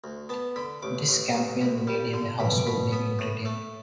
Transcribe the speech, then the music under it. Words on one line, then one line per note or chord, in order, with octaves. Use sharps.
This campaign made him a household name in Britain.
D2
B3 A5
D3 B5
A1 D6
A1
A1
D2 B5
G3
D3
B2 B5
D6
B2 B5
B3 B5
A2
A3